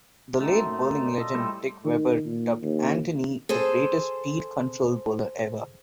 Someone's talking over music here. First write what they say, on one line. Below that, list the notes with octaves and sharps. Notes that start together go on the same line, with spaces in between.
The late bowling legend Dick Weber dubbed Anthony the greatest speed-control bowler ever.
F#2 A3 A#3 C4 D#4
D5
F4 A4 C5 D#5
G3 A3 C4 C#4 E4 A4
D#3
A#2
D#2
G#4 A4 C5